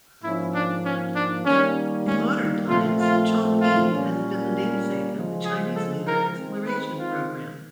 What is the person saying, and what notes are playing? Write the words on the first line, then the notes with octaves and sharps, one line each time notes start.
In modern times, Chang'e has been the namesake of the Chinese Lunar Exploration Program.
G#2 F3 A#3 C#4 E4
D4
C#4
D4
D#3 G3 A#3 C#4
C#4
A#2 F3 A3 C4 F4
F4
F4
A#2 G3 A#3 C#4
C#3 F3 G#3
G#4
A4
A#4
D#3 G#3 C4
B4
F4